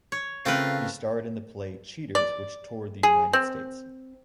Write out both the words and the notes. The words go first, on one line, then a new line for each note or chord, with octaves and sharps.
He starred in the play "Cheaters", which toured the United States.
C#5
C#3 A3 C4 F4 A#4 B4 F5
D5
G#4
C4